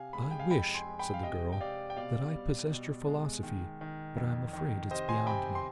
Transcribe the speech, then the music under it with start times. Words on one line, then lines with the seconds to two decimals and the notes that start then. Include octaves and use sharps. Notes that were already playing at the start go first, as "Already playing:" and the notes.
"I wish," said the girl, "that I possessed your philosophy but I am afraid it is beyond me."
Already playing: C3 F5 G#5
0.13 G#3 B5
0.23 G#5
0.31 G5
0.39 F5 G#5
0.50 F2 G5 B5
0.75 G#5 C6
0.87 G#3
0.99 G5 B5
1.14 F5
1.23 C3 D#5 G5
1.52 G5
1.60 C3 D5 F5
1.90 G5
1.96 B2 D5 F5
2.33 G3
2.71 B2
3.07 G#3
3.43 D#3
3.81 D#3
4.17 F2
4.53 D#3
4.91 C3 C5 D#5
5.09 G#5 C6
5.27 C3 G5 B5
5.55 C6